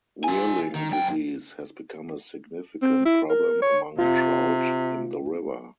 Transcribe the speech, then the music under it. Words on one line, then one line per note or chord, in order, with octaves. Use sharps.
Whirling disease has become a significant problem among trout in the river.
F4 G#5
D#3
F#2 G5
C4
E4
A#4
C#5
C3 F4